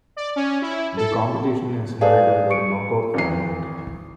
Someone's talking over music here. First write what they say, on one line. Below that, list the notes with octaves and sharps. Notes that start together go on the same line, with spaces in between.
The competition is held under knockout format.
D5
C#4
E4
A4
G#4 A4 B4 D5 F5
C#6 C#7 D7
G#1 E3 C7